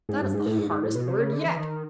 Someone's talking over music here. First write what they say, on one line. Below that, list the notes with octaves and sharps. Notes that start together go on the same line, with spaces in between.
That is the hardest word yet!
G#2
G2
G#2
A2
G#2
G#2
A2
B2
C3
C#3
D3
E3
D#3